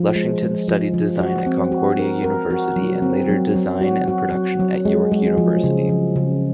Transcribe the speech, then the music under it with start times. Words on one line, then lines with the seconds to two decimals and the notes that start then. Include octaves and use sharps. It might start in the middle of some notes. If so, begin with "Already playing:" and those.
Lushington studied design at Concordia University and later design and production at York University.
Already playing: F3
0.15 G#3
0.42 G#3
0.68 F3
0.94 F3
1.20 F#4
1.46 C4
1.72 F#4
1.99 A#4
2.24 A#4
2.50 F#4
2.76 F#3
3.02 C4
3.29 F#3
3.56 F#3
3.81 F#4
4.08 F#4
4.33 F#3
4.60 F#3
4.85 G#3
5.12 G#3
5.37 F3
5.64 C#3
5.89 F3
6.16 C#3